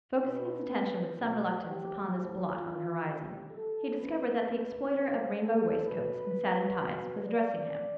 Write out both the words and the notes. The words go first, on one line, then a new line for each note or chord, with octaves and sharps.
Focusing his attention with some reluctance upon this blot on the horizon, he discovered that the exploiter of rainbow waistcoats and satin ties was addressing him.
B2 B4
B2
G4
A2 F3
F4
A2 F3 G4
A4
A2 F3 B4
C3 E3 C5
A4
B2 B4
B2
D5